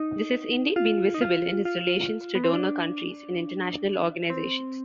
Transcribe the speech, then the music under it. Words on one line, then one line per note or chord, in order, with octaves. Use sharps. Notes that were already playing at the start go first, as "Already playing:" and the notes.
This has indeed been visible in his relations to donor countries and international organisations.
Already playing: D#4
F4
D#4
F4
F4
B3
C4
D4
C4